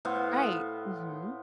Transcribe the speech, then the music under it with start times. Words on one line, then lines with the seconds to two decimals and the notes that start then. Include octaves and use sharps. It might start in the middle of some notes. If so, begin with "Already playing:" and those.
Right, mhm.
0.05 A2 B3 C5 F5